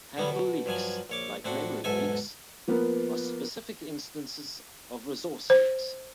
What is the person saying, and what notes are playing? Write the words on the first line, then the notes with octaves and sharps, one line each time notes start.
Handle leaks, like memory leaks, are specific instances of resource leaks.
D3 G3 B3 C#4
B2
G2 F3 F#3 G#5
A#1 C#5 D6
A2 C4 D4 F#4
B1 E2 G#2 A4 E5 G#5
F3 A#3 B3 A#4 B4
C5